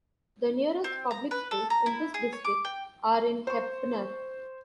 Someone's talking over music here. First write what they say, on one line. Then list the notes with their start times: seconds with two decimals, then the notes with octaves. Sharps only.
The nearest public schools in this district are in Heppner.
0.84 C4
1.11 A#5
1.31 B4
1.51 A4
1.70 A#5
1.86 E4
2.14 G#4
2.33 C#5
2.45 D6
2.65 G5
3.47 C5 C#6